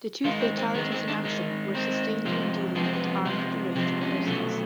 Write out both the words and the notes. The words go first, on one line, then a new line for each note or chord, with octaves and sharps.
The two fatalities in action were sustained when dealing with armed deranged persons.
D#3 G#3 F4
C4
C4
D#3 G#3 B3
C4
D4
D#3 G#3
D#3 G#3 C4
C3 F3 G#3
C3 F3 G#3 B3
C4
B3
C3 F3 G#3
C3 F3 G#3 C4
C#4
B2 F#3 A3